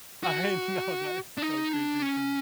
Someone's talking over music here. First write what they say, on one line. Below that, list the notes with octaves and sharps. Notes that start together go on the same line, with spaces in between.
I know, that is so crazy to me.
F#4
D4
D#4
D4
C#4